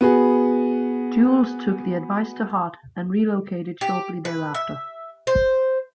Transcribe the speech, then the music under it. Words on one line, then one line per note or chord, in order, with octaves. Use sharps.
Jules took the advice to heart and relocated shortly thereafter.
B3 F#4 G#4
G4
B4
E5
C5